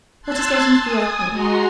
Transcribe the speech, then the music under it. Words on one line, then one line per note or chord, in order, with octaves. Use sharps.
Let us get into the open.
A5 C6 E6 F#6 G#6 A6
G#5 D#6
G#3 F#4 A#5 C6 C7